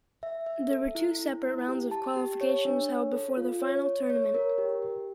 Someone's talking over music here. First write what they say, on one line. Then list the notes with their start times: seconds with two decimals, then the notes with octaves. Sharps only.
There were two separate rounds of qualifications held before the Final Tournament.
0.23 E5
0.46 E5
0.71 A4
0.95 E4
1.19 E4
1.44 E4
1.68 G4
1.91 A5
2.16 G4
2.41 C#5
2.65 D4
2.89 C#5
3.13 A4
3.37 F4
3.62 C#5
3.86 C#5
4.10 C#5
4.34 A#4
4.58 G4
4.82 G4